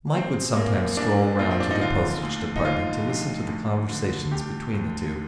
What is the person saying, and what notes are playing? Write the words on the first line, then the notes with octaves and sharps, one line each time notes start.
Mike would sometimes stroll round to the Postage Department to listen to the conversations between the two.
A#1 C4
A#1 A#3
A#1 D4
A#1 F4
C4
D4
D#4
D3 F4
D2
D#4
F3 F4
D2
D2
D3
D2 G4
D2